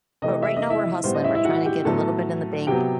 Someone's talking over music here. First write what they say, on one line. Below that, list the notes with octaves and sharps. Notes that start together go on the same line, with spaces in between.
but right now we're hustling. We're trying to get a little bit in the bank
C3 E3 A3 D#5
E5
D#5
E4 E5
A2 G3 B3 C5
D#5
E4 E5
E4 E5
F#4 F#5
G4 G5
A2 F#3 B3 A4 A5
C3 F#3 B3 G4 G5